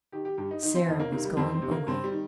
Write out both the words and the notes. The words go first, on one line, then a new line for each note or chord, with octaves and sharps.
Sara was going away.
D#3 G4
G4
G2 G4
D#4
D#3 D#4
C4
F2 D#4
A#3
C3 D#3 A#3
G3
F2 C4
C4
C3 D#3
A#3
G2 C4
G3
D#3